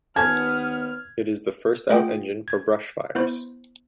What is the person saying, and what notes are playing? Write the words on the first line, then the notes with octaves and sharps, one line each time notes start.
It is the first out engine for brush fires.
D#2 B3 C#4 A4 F6 G#6
A3 F4 G#4 F#5 G5
G#6
B3 E4 C5